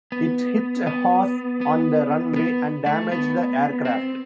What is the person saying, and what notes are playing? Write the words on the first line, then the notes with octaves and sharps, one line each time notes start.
It hit a horse on the runway and damaged the aircraft.
B3
B3
B3
B3
A3
B3
C4